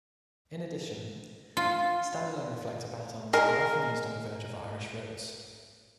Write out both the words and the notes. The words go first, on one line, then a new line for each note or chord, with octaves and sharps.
In addition, standalone reflector batons are often used on the verge of Irish roads.
F4
G#3 A#4